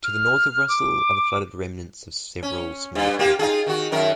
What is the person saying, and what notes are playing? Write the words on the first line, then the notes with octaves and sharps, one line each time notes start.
To the north of Russell are the flooded remnants of several smaller craters.
F6
D6
C#4
G2
A#3 F4 G4
D#4 F4 G#4
D#3 F#4
F#2 D#3 A#4